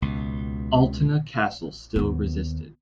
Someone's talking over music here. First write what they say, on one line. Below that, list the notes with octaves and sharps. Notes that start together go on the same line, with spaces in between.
Altena Castle still resisted.
C#2 B2
D#2 B3